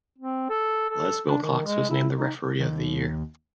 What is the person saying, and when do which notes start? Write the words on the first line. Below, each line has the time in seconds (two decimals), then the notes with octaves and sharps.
Les Wilcox was named the Referee of the Year.
0.18 C4
0.50 A4
0.90 A4
1.28 D4
1.42 D#3
1.66 G#3
1.90 E4
2.16 D#4
2.60 D#2